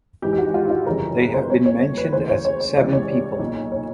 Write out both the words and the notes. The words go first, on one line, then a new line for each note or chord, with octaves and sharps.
They have been mentioned as seven people.
G#1 G#2 E3 G4
G4
F#4
F4
E4
F4
G1 F2 C#3 E3 A#4
B4
C5
C2 A#2 C#5
C#5
C#5
B4
D2 C#3 E3 C5
C#5
C#5
C#5
C#2 C3 E3 D5
C#5
B1 A#2
C#5